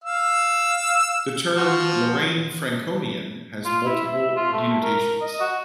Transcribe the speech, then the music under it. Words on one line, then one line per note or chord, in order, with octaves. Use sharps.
The term "Lorraine Franconian" has multiple denotations.
F5 E6
F3 F#4
F4
E4
E5
F4
A3
A#4
D#5
F#4